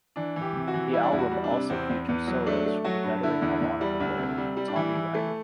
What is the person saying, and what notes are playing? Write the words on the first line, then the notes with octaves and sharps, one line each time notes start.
The album also features solos from the veteran harmonica player Tommy Reilly.
E3 D4
E3
G4
C3
F#4
E3
G3 E4
D4
E2 E4
F#4
G3
D4
C3
E2 C4
E2
E2 B3
F#3
A3 D4
A3
F#3 F#4
G2
D3 E4
E2
E2
G3
D2
C3
G3
G3
D4
E3 E4
E3
A3